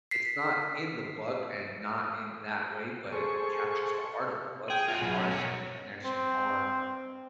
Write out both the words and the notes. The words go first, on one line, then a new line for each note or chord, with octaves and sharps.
It's not in the book, and not in that way, but it captures the heart of the book, that art, and the connection are
B6 C7
G#4 A4 C5 C#6
G#4 G5
F4 F#4
B2 F#3 G#4
C#4
A#4 C#5
C4